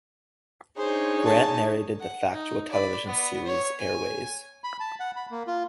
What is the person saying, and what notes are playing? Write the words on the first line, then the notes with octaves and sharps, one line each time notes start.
Grant narrated the factual television series "Air Ways".
D4 D#4 G#4 C5 C#5
A5
F#5
D#4
D5 B5
B3 B4
C#5
G#5
B5
A5
F#5
B5
A#3
F4